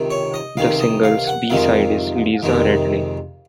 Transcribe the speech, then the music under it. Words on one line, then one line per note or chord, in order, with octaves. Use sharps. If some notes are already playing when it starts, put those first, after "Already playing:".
The single's B-side is "Liza Radley".
Already playing: C#2 C3 D#3
C#5
D#5
C#2 C3 D#3 F5
D#5
F5
F#5
F2 C3 D#3 G#3 F5
F2 C3 D#3 G#3